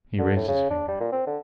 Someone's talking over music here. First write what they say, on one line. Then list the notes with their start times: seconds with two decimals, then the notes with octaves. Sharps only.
He raised his finger.
0.19 D3
0.36 A2
0.48 C#3
0.70 D4
0.88 G3
1.00 A#2
1.12 C4
1.27 D3